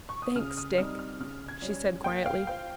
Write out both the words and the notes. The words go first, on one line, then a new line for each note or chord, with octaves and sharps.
"Thanks--Dick," she said quietly.
C#6
D#6
C#3 F6
D#6
G3 C4 D#4 F6
F6
C#3 F6
G#6
G3 C#4
A#3 G5
F5
F4 C5 G5